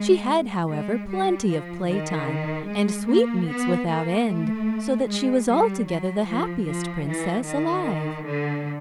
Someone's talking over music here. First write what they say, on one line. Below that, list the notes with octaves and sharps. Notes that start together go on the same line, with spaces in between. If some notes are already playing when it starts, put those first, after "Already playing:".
She had, however, plenty of play-time, and sweetmeats without end, so that she was altogether the happiest princess alive.
Already playing: G#3
G#3
G3
F3
D#3
G#3
A#3
B3
A#3
A3
G#3
G3
F#3
F3
F3
E3
D#3
D3